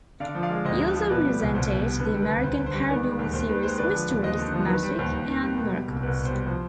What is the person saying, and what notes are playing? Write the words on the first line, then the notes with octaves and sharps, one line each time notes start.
He also presented the American paranormal series Mysteries, Magic and Miracles.
D3 D5 F5
F3
D5 F5
G#3
D2 C5 D#5
D3
F3
B2 B4 D5
G3
C2
C2 C5
B2
G3
D3 B4
G3
B4
D2
D2 C5
D3
C5
G3
D#3 B4 D5
G#3
D#2
D#2 C5
D#3 B4
G#3 C5
D3 B4 D5
F3
D#2
D#2 C5 D#5
D3
F3
D#3 B4
G3
C5
D#2
D#2
D#3
G3
B2
G3
C2
C2 B4
B2
C5
G3
F3 C5